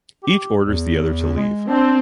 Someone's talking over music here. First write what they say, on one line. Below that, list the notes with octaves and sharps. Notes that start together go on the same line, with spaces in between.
Each orders the other to leave.
G4
E2
G#3
C4 D4